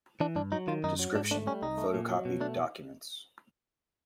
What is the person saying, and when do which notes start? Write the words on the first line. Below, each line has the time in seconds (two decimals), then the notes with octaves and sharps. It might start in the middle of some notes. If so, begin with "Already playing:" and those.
Description: photocopied documents.
0.20 E3 D4
0.36 G2 D4
0.52 F#3 D#4
0.68 D#3 F4
0.84 F#2 D#4
0.99 F#3
1.15 G#2 D4
1.31 A3 D4
1.47 G3 C#4
1.62 C2 D#4
1.78 A3
1.94 A#2
2.09 F#3
2.25 B2
2.40 A3 D4